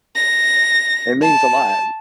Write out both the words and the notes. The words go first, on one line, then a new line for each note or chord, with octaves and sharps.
It means a lot.
A#6
A5